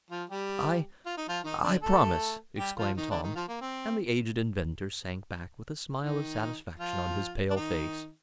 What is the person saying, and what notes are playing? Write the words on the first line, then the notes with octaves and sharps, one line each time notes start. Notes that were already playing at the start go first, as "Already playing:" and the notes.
"I--I promise!" exclaimed Tom, and the aged inventor sank back with a smile of satisfaction on his pale face.
F3 F4
G3 G4
F4
D#4
F3 F4
D#3 D#4
D3 D4
A3 A4
G3 G4
F3 F4
D#3 D#4
D3 D4
D#3 D#4
F3 F4
A#3
C4
D#3 D#4
F3 F4
D4
D#3 D#4